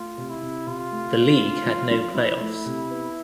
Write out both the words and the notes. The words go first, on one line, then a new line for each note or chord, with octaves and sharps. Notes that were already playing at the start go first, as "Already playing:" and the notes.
The league had no playoffs.
Already playing: A3 F4
C3
E4
C3
C3 F4
A3
C3
A3
F3
F3
F3 E4
A3
C3
B3